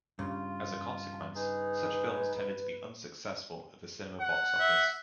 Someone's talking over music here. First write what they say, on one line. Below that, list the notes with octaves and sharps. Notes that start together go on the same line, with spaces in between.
As a consequence, such films tended to be unsuccessful at the cinema box-office.
G2 C#3 F4
D#4 G#4 B4
F#5
E5